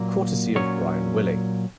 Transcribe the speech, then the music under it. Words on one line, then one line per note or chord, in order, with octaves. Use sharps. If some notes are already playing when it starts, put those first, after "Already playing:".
Courtesy of Bryan Willy.
Already playing: A#2 F#3 A#3
A#2 F#3 C#4 C#5